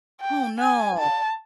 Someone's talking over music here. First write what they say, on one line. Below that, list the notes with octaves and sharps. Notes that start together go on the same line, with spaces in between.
Oh, no.
G5
G#5
A5